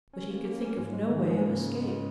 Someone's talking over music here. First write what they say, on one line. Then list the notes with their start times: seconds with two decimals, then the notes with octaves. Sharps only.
But he could think of no way of escape.
0.14 C#4
0.30 A#3
0.45 A#3
0.61 C#4
0.77 G#2
0.93 G#3
1.08 G#2 D#3
1.20 F3
1.25 G#2
1.31 G#3
1.41 C#3 A#3
1.56 C#3
1.72 G#3
1.88 C#3